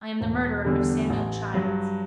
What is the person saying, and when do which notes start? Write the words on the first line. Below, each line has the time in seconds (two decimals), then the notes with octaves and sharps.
I am the murderer of Samuel Childs.
0.21 E1
0.65 E2 D3 G3
1.10 A1
1.54 G2 F#3